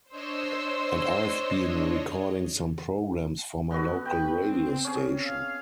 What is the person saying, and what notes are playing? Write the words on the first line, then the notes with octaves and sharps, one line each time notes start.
And I have been recording some programmes for my local radio station.
D4 C5 C#5 D#5 C6 E6
D3 B3 F#4
B4 G5
C4
C#4 G#4
F5